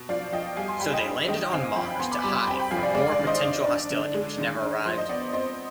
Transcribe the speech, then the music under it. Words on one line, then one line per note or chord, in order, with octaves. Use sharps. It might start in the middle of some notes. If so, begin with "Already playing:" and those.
So they landed on Mars to hide from more potential hostility which never arrived.
Already playing: B2
F3 D5 F5
F3 D#5 G5
G3 F5 G#5
G#5 C6
G3 G5 B5
D#5 G5
D4
D#3 D#5 G5
C4 F5 G#5
F3 G5 B5
B3 G#5 C6
B5 D6
G3 B5 D6
G#5 C6
C4 G5 B5
G5 B5
F3 F5 G#5
D5 F5
G#3 D5 F5
D5
D#3
C5 D#5
D4 D5
D4
D3
G#3
D#3
D4
F3 C5
D#5
B3 D5
C4 C5 D#5